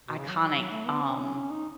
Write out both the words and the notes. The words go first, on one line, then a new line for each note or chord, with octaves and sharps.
iconic, um.
B2
C#3
F#3
F#3
F#3
A3
B3
C#4
C#4
C#4
D#4